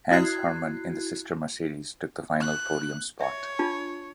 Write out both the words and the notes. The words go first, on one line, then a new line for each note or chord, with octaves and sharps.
Hans Herrmann in the sister Mercedes took the final podium spot.
E4 F#4 F#6 G#6 C7
C#6 F#6
C#5 E5
D4 F4 A5